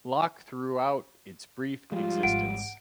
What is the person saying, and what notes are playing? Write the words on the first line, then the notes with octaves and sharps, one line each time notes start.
Locke throughout its brief existence.
F3 G3 G#3 F4
G#1 F#5 D7